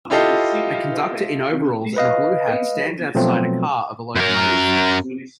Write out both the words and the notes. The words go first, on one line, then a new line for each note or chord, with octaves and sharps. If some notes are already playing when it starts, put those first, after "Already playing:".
A conductor in overalls and a blue hat stands outside a car of a locomotive.
E4 F4 G4 A4 D#5 F5
B4 D#5 F5
B2 F3 F#3 A3 C4
F#2 A#4